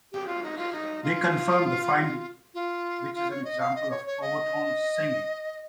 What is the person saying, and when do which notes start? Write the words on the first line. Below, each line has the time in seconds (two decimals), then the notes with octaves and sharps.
They confirmed the finding, which is an example of overtone singing.
0.12 G4
0.27 F4
0.43 D#4
0.58 F4
0.72 D#4
1.03 F4
2.54 F4
3.14 F4
3.31 C#5
3.44 D#5
3.60 F5
3.75 D#5
3.91 C#5
4.06 C#5
4.21 D#5